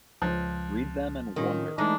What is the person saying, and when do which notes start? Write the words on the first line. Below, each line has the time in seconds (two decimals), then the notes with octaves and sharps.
Read them and wonder!
0.22 C#2 F3 F#6
1.36 A2 D#3 C#4 F4
1.78 E3 G#3 A3 D4 D#4